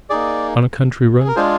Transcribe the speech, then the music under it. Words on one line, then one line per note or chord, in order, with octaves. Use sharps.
On a country road?
A#3 D#4 G#4 D5
G#4
A#4
G#3 D4 F4 G#4 C5